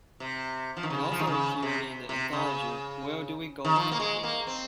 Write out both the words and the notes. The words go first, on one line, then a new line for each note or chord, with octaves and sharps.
It also appeared in the anthology Where Do We Go from Here?
C3
F3
D#3
C#3
F3
D#3
C#3
C3
C3
C#3
D#3
F3
A#3
G#3
A#3
C4